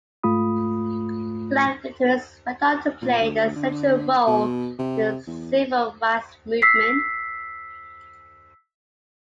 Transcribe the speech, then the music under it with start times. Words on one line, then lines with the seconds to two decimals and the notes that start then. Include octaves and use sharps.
Black veterans went on to play a central role in the Civil Rights movement.
0.23 G#2 A3 F4 B5 D#6
3.02 A#2
3.21 D2
3.56 D3
4.27 B2
4.79 C3
5.27 E2
6.62 E6 B6 C7